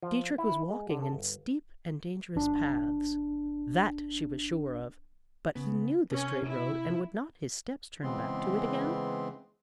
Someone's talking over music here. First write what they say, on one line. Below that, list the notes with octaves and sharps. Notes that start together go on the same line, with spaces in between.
Dietrich was walking in steep and dangerous paths; that she was sure of, but he knew the straight road and would not his steps turn back to it again?
F3
E4
G#3
D3
A4
G1
G1 D4
C#3 B3
C3 C#4
E4
C#3 E3 G#3 B3 C4 C6